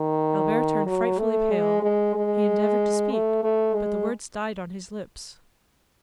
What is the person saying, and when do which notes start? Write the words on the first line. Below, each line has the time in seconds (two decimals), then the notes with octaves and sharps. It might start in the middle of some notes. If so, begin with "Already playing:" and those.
Albert turned frightfully pale; he endeavored to speak, but the words died on his lips.
Already playing: D#3
0.86 F#3
1.19 A3
1.51 G#3
1.82 G#3
2.15 G#3
3.12 A3
3.44 A3
3.75 G#3